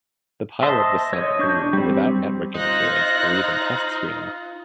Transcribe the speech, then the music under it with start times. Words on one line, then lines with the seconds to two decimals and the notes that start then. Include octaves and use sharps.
The pilot was sent through without network interference or even test screenings.
0.63 C5 D#5 E5 A5 C6
1.13 C#5 D#5
1.39 D4 C#6 G6
1.73 G3 C4
2.55 D#4 F4 C5 F#6 A#6